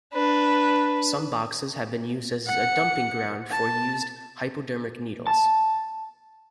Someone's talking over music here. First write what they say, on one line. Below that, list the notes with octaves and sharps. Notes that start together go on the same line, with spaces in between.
Some boxes have been used as a dumping ground for used hypodermic needles.
D4 B4
F#5 C#7
A5
A5